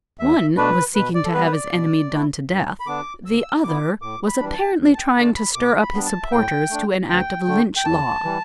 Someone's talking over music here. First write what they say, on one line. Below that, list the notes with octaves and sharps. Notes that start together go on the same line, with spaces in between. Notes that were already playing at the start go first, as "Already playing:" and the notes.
One was seeking to have his enemy done to death, the other was apparently trying to stir up his supporters to an act of "Lynch law".
E2 E5
B2 A3 D4 B4
B2 B4
D5
A4
G3 B3 B4
B4
D5
B2
A3 E4
G2
B5
D3 B3 D4 D6
D2 E6
D3 B3 E4 D6
A2 D6
B5
E3 G3 D4
A5
D2
A5
G5
D3 A3 D4 A5
B5
B2 D6
B5
G3 B3 D4
A5
E5
A2 G5
A3 D4
D2 G5
D3 A3
G5
E2 A5
E3 G3